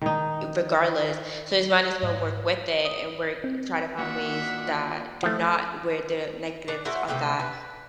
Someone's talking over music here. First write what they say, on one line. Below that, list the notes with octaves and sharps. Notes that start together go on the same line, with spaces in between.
regardless, so as might as well work with it and work try to find ways that do not where the negatives of that
D#3 D#4
G#2
D#6
C4
D#3 A#3 D4 F4 F#4 E5 F#5
F3 A3
D4
D4 E4 F#4 C5
C3 A3 G4 B4
B4